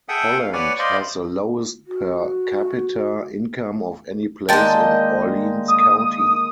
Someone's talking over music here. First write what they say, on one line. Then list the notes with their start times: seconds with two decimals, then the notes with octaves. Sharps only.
Holland has the lowest per capita income of any place in Orleans County.
0.09 G#4 A4 E5 F#5 G5 D#6
0.39 F5
0.53 B4 C#5 D5 F#5 G#5
0.79 C5 D5 D#5 F5 B5 C6
1.87 F#4
4.49 D3 D#3 G#3 A#3 D#5 G5 A5
5.68 D#6